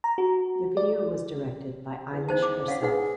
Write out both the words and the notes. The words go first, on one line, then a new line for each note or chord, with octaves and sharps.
The video was directed by Eilish herself.
A#5
F#4
D5
E2
D#4 C5 A5
D6
C#4 F5 F#5
D#4 G#4 B4 F#5